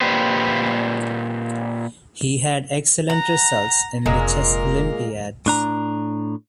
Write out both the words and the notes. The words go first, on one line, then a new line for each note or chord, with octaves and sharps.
He had excellent results in the Chess Olympiads.
A#2 G4 B4 C5
F#5 A#5
F1 A#2 G#3 A#3 A#4
A2 D4 A#5